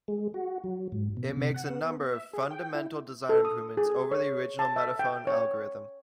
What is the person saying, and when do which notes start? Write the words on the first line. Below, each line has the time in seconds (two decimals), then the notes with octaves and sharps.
It makes a number of fundamental design improvements over the original Metaphone algorithm.
0.08 G#3
0.34 F#4
0.64 F#3
0.92 G#2
1.17 B2
1.37 C3
1.54 F#5
1.70 B3
2.13 E5
2.33 G#4
2.51 G5
2.75 E4
3.29 A4
3.45 D#6
3.77 G#4
4.11 C#5
4.59 A5
4.76 E5
4.99 G5
5.27 C#5